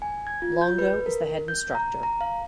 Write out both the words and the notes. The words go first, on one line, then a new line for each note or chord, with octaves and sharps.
Longo is the head instructor.
G#5
G#6
F4
G6
B4
A#4
G6
A#5
A#5
F5